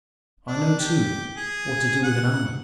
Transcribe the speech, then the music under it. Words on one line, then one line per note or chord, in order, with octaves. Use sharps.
I know, too, what to do with an army.
D4
G4
G#4
F#5